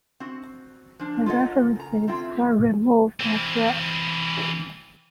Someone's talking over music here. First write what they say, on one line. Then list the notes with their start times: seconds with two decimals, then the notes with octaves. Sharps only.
The references were removed as well.
0.20 C4 F#4
0.99 F3 D4
1.26 F4 A4 A#4 C#5 D#5 F#5
1.76 C#3 A#5
2.07 A3 C4 E4 F4 G5
3.20 E3 C4